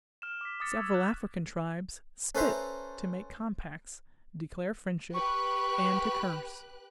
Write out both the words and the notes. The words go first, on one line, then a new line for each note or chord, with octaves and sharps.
Several African tribes spit to make compacts, declare friendship, and to curse.
F6 E7
D6 B6
D6 D#6 A6 C#7
C#6 E6 G#6
F#6
C#4 A4 B4 C5 E5 A#5
G4 B4 C#6 F#6